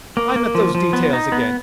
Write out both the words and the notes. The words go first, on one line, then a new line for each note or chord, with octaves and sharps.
I'm at those details again.
A#3
A#3
F3
F3
B3
D#4
B3